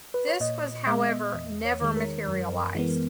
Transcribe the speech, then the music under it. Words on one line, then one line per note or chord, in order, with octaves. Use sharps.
This was however never materialized.
B4
C#5
A#2 D#5
G#3 B3 E5
E2 D#5
C#5
D#3 G#3
A#4
F#2
E3 G#3 B3